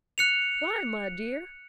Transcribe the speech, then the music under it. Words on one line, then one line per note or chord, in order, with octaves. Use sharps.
"Why, my dear!"
F#6 C#7 F7